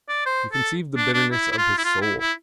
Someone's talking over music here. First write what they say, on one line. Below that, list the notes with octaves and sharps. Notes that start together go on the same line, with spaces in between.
You conceive the bitterness of his soul.
D5
C5
A4
D4
D4
E4
E4
F4
E4
F4
E4
E4